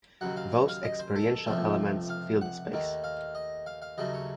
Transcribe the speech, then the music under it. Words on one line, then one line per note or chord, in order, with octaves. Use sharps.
Those experiential elements fill the space.
D#2 C#3 F#3 F#5
F5
C#5
F5
D#5
C5
A4
C#2 C3 F3 A3
F5
F#5
D#2 D#3 A3
F5
D#5
F5
F5
D#2 C#3 F#3 A3 D#5
C#5